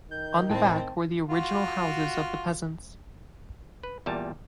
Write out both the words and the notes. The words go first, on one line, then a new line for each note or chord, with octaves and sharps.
On the back were the original houses of the peasants.
D#3 G6
A2 C4 C5 G5 A5
F4 F#4
B4
E2 A#2 G3 A5